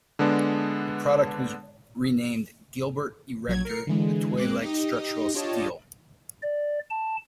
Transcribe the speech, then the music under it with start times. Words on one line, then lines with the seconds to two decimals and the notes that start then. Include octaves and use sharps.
The product was renamed "Gilbert Erector, The Toy Like Structural Steel".
0.19 D3 G#3 B3 D4
3.48 A#1 F#3 G#6
3.65 A#4 C7 C#7
3.87 D3 E3 G#3
4.37 G#3 C4 D6 F#6
4.62 D#4 G4 D#5
5.34 D4 F4 G4 C#5 D#5 A5
6.42 D5
6.90 A5